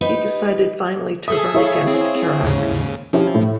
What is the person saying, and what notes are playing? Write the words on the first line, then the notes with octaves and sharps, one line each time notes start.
He decided finally to run against Chirac.
D#4 G4 B4
G#4 A4 E5 D#6
E4 C#5 F5
C4 G#4
D#2 G#2 C#3
F3 C#4 E4 G4
A2